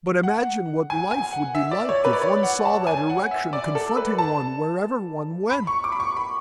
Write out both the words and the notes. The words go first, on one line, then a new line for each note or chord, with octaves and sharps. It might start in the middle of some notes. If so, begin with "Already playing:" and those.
But imagine what life would be like if one saw that erection confronting one wherever one went.
F#5
G#5
G#5
F#5
E5
D5
C#5
B4
D5
C#5
F#5
A5
G#5
F#5
E5
D5
A4
B4
A5
B5
C#6
D6
B5
C#6
B5